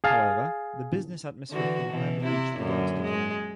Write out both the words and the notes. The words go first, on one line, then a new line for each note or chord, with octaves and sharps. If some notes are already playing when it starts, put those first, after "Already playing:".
However, the business atmosphere for Miami Beach began to decline.
G#4 F5 A5
D3 E3 F#4
B2 E3
C3 C4 E4
F#2 A#2 D3
G#3